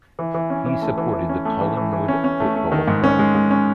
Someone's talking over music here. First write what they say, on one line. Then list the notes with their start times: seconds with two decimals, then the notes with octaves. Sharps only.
He supported the Collingwood Football Club.
0.19 E3
0.34 E3
0.50 C#4
0.66 E3
0.82 A3
0.98 E3
1.14 E3
1.29 C#4
1.45 A3
1.61 E3
1.77 E3
1.93 E3
2.08 C#4
2.24 C#4
2.40 A3
2.56 A3
2.72 D#3
2.88 G#2
3.04 C#4
3.19 G#3
3.35 G#3
3.51 C#4